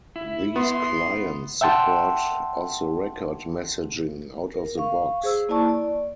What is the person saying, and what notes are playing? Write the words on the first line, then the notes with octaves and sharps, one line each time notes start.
These clients support Off-the-Record Messaging out of the box.
E4
B3 C6
E5 F#5 G5 A5 C6
A#4
F5 C#6
G#4 C5 E6
A#3 E4 D5 A5 C#6
D5